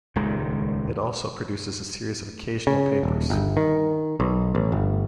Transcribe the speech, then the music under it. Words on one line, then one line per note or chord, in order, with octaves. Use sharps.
It also produces a series of occasional papers.
D#1 C#2 D#3 G#3
C#3
D#1
G1
D#3
B1
A1
G1